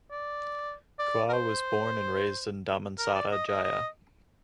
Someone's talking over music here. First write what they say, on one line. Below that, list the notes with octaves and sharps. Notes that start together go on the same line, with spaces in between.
Quah was born and raised in Damansara Jaya.
D5
D5
A#4
C5
A#4
D5
D#5
D#5
D#5